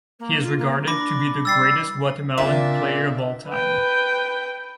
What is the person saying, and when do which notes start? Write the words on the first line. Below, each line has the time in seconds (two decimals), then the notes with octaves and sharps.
He is regarded to be the greatest Guatemalan player of all time.
0.19 A#3
0.43 F4
0.58 A#3
0.87 D4 B5 D6 A#6
1.45 G3 E6 A6 C7
2.38 A#2 C#3 C4 D4 E5
3.49 B4 G5